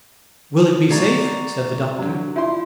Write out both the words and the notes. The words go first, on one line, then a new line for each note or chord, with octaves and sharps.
"Will it be safe?" said the doctor.
A3 F#4 D5 A#5
D3 F#3
E4 F4 C6